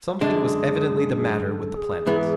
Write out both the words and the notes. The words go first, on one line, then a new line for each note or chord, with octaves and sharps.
Something was evidently the matter with the planet.
F#2 D3 G#3 D4 G#4
G#4
A4
G#4
G#2 E3 B3